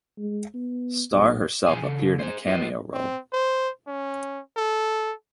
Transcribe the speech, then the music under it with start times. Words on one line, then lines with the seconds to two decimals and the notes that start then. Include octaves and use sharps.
Starr herself appeared in a cameo role.
0.18 G#3
0.54 B3
1.12 B1
1.66 B2 F3 F#3 G#4 G#5
1.82 C#3 A4
2.19 G#4 C5
2.47 F4 B4 D#5
2.93 C4
3.33 C5
3.87 C#4
4.57 A4